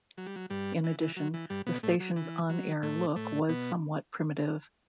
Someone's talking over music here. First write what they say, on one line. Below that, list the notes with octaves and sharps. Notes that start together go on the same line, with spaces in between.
In addition, the station's on-air look was somewhat primitive.
F#3
G3
F#3
G2 G3
E3
E3
F#3
E3
G2 G3
B2 B3
A2 A3
F#3
E3
F#3
A2 A3
A2 A3
B2 B3